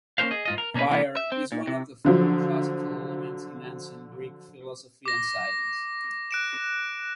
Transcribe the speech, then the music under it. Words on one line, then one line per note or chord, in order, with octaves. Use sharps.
Fire is one of the four classical elements in ancient Greek philosophy and science.
A#3 C#4 D#4 A#4 C5 F5
G#4 D#5
G#2 F4 D#5
A#4
B2 A#3 C#4 D#4 B4
C3 E3 A#3 B3
E5
C4
A#2
C3
D3 F3 F#3
D6 A#6
F#6 D7 E7